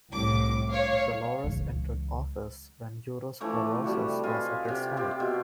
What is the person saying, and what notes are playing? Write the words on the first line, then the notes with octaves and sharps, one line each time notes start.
Delors entered office when eurosclerosis was at its height.
C2 A2 D6
C#5 F5
C#2 E3
E3 F3 A3 D6
C3 G3 F#4
F4 B4 D#5 G#5
C3 G4
F4 G4 C5 E5
B2